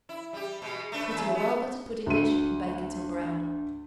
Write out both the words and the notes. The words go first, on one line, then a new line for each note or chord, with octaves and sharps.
Put in a well-buttered pudding-dish and bake until brown.
E4
G3 G4
B2 G#3
A3 D4 B4
E2 E5
A3 B3
D2 D#7